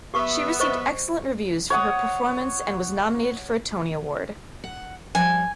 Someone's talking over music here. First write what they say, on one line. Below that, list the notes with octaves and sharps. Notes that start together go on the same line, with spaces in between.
She received excellent reviews for her performance and was nominated for a Tony Award.
B3 G4 E5 C#6
C5 D#5 C#6
C#5 F#5 D#6
F#5
F3 G3 G#5